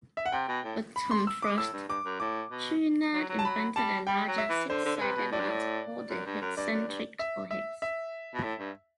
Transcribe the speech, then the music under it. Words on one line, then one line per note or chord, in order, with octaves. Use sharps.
With Tom Frost, Chouinard invented a larger, six-sided nut called a Hexentric or hex.
E5
F#5
C3 G5
B2
A2
B5
C6
E6
D6
A2 E6
G2
G2 D6
F#2
A2 D6
B2
F#3
F#3
A5
F#3 B5
G3 A5
G3 G5
F#3
E5
E3
D3 C5
D3
D3
C3 B4
B2
A2 D5
G2
A2
F#2
G2
F#2
G2 D5
F#2
G2
E5
E5
E5
B2
A2
G2